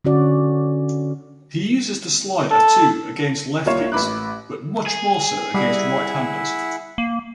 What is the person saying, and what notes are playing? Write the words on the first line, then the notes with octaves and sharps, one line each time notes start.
He uses the slider, too, against lefties, but much more so against right-handers.
D3 C#4 F#4 D5
A4
C2 A#3 F4 C#5 E7
A1 B4 B5 D6 F#6
G#4
G3 E4 E5 F#5
A#3